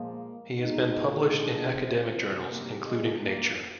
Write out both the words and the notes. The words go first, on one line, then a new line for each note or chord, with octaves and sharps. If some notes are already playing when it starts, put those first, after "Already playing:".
He has been published in academic journals including "Nature".
Already playing: A#2 F3 G#3 A#3
A#2 G#3 D#4
D4
C4
C3 D#3 G3
A#3
G#3
A#3